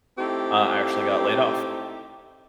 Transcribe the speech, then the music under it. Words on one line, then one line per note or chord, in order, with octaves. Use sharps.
uh, I actually got laid off,
A3 C4 D#4 E4 G4